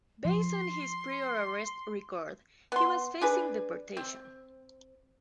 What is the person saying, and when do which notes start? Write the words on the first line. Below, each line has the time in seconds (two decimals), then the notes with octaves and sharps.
Based on his prior arrest record, he was facing deportation.
0.25 F3 C6
2.72 B3 C6
3.21 D4 G#4 B4
3.97 C4